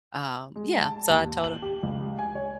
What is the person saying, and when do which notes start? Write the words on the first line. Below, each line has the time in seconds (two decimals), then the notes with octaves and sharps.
um, yeah. So I told him
0.56 G#3
0.83 A5
1.10 D#2
1.44 F#7
1.62 G4
1.83 C#2
2.19 G#5
2.35 C#5